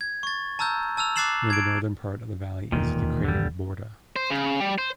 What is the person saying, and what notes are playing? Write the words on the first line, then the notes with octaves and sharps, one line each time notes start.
Near the northern part of the valley is the crater Borda.
G#6
C#6 A6
A5 A#5 E6 F6 G6
A5 E6 F6 F7
D6 F#6 A6 C7 E7 F#7
G#6 D7
E1 D#2 A#2 D#3
D3 G3
C5
C#3
G3
C5